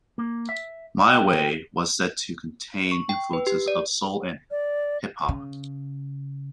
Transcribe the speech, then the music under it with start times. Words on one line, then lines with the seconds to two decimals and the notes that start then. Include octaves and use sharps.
"My Way" was said to contain influences of soul and hip hop.
0.18 A#3
0.49 E5
1.06 G5
2.92 C#6
3.09 G5
3.33 B4
3.47 G4
3.68 D5
4.51 D5
5.29 C#3